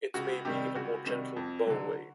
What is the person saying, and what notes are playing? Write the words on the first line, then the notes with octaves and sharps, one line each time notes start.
It may be a more gentle "bow wave".
C#2 F#4
C3 D#3 G3 G4
C#2 F#4
C3 D#3 G3
F2
D3 F#3